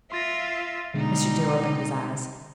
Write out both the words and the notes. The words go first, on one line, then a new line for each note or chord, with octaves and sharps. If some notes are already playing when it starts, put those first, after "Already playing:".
Mr. Dill opened his eyes.
F4 E5 C6 A6 A#6
B2 D3 G3 G#3 D#4